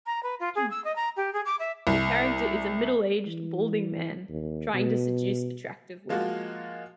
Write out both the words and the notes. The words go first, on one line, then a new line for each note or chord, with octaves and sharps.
The character is a middle-aged, balding man trying to seduce attractive women.
A#5
B4
F4
G#4
E6
D#5
A#5
G4
G#4
D6
E5
C2
E3
D#2
B2
F3 G#3 A#3 F4 F#4